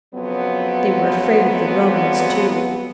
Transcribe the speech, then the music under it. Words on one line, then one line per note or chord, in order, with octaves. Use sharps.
They were afraid of the Romans too.
F2 C#3 F#3 B3